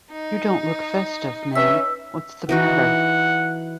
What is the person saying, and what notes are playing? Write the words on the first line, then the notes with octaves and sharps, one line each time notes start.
You don't look festive, ma'am; what's the matter?
D#4
C#4 B4 E5 E6
E3 D#4 F#4 F#5